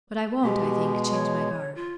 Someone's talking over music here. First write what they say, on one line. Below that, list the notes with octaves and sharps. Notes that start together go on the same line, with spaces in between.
But I won't, I think, change my garb.
B2 G#3 G4
C#5
F4